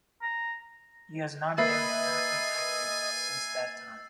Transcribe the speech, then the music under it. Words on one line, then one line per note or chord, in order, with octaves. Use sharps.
He has not been politically active since that time.
A#5
A#3 B4 D#5 E5 G#5 E6 A6 C7